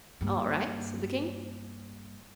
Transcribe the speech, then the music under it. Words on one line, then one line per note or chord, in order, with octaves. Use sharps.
"All right," said the King.
G2 A#3